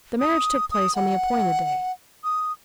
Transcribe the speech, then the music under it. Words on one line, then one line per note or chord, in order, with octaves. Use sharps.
The marriage took place on the appointed day.
D#6
D#6
F#5
D#6